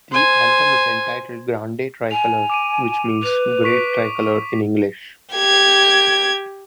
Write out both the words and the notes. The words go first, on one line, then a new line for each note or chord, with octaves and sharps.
The anthem is entitled "Grande Tricolor", which means "Great Tricolor" in English.
C5 G#5
G#5 F7
D6 D7 D#7
B4 F7
C#6 B6 D7
G4 G#6